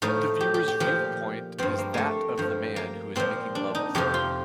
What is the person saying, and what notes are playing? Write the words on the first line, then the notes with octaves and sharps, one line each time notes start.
The viewer's viewpoint is that of the man who is making love with her.
A2 F3 D#4
G4
G4
G4
A#2 F3 G4
G2 F3 C4
A#3
A3 A#3
G2 F3
A#3
A#2 F3 C4
D4
D#4
F2 C3 F3 G4
F4